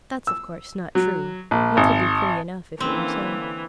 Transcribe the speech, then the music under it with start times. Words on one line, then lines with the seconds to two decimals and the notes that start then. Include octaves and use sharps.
That's, of course, not true: but 'twould be pretty enough if it were so.
0.27 E6
0.95 F#3
1.51 A#1
1.77 G#1
2.80 D3 E3 A#3 C4 C#4